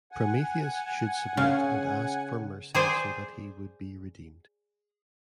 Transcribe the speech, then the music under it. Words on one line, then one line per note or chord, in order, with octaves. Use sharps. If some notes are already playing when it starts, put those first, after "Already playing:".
Prometheus should submit and ask for mercy so that he would be redeemed.
F#5 G#5
C#3
G#4 C5 D5 G#5